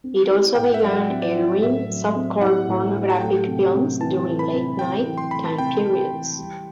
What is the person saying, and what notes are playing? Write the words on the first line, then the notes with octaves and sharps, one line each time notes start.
It also began airing softcore pornographic films during late night time periods.
C4
E4
A2 G5
F#5
E5
F#3 D5
C4
D5
E4
A2 E5
F#3
C4
E4 F#5
A2
F#3
A5
A3 G5
C3
C3
E3 A5
A3
B5
C3
C3 G5
E3
C6
A3 B5
A5
C3 G5
C3
E3
G3